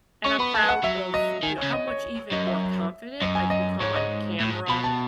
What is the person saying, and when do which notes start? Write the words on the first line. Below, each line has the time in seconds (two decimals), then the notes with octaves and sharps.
and I'm proud of, you know, how much even more confident I've become on camera,
0.25 C#4 C#6
0.39 B3 B5
0.54 A3 A5
0.64 B3
0.69 F#5
0.84 F#3 E5
1.14 D#5
1.43 D#3 G#5
1.58 C#3 C#5
1.73 D#5
1.88 C#5
2.31 F#2 D#5
2.47 E5
3.21 F#2 D#5
3.35 G#5
3.50 D#5
3.80 G#2 C#5
3.96 D#5
4.40 A2
4.50 G#2
4.68 B2 B5
4.84 A5